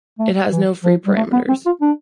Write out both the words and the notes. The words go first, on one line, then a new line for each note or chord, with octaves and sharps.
It has no free parameters.
A3
E3
F3
G3
A3
B3
C4
F4
D4